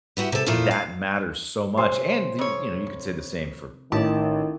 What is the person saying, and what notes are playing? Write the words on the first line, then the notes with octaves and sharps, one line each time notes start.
that matters so much, and you you know, you could say the same for
B3 E4 F#4 G4
C3 A4
A#2 F3 A3 E4 F4
F5
C3 C#4 C6
F2 C#5
A1 D#3 G4 D5 A5